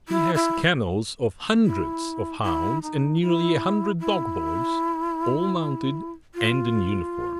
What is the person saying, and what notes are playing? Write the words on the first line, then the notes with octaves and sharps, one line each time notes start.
He has kennels of hundreds of hounds and nearly a hundred dog-boys--all mounted, and in uniform.
E4
E4
E4
E4
D#4
E4
E4
F4